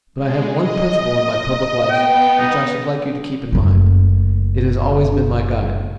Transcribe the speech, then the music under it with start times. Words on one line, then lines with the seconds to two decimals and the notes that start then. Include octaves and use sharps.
But I have one principle in my public life, which I should like you to keep in mind; it has always been my guide.
0.17 G#3
0.56 D#5
1.89 B3 G5
2.38 D#4
3.52 F#1 A3